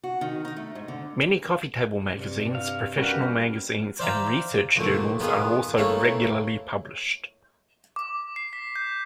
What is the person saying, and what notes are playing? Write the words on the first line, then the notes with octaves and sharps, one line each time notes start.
Many coffee table magazines, professional magazines and research journals are also regularly published.
F#4
D#3
D#4
A3
G#2
D3
G2 C3
F5
G3 C#4 F#4 G4 A#4 B4 F6
C5 D5 E5 F5 G5 A#5
B1 A#2 D3 A3
D#3 B3 F4 G#4
E3 A3 A#3 E4 C#5
D6
C7
B6
G6